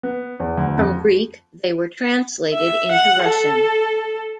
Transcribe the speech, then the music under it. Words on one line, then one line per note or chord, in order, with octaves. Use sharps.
From Greek they were translated into Russian.
B3
E2
D2
F2
E5
F#5
A4